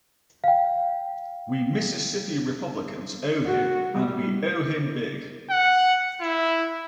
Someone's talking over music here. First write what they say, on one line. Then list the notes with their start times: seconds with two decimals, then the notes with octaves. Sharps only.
We Mississippi Republicans owe him, and we owe him big.
0.44 F5 G5
3.46 F#4
3.93 G3
5.50 F#5
6.21 E4